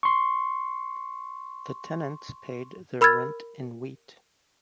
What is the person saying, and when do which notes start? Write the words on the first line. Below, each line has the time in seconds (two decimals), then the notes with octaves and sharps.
The tenants paid their rent in wheat.
0.03 C6 C#6
3.01 A#4 B5 E6 F6 G#6 A6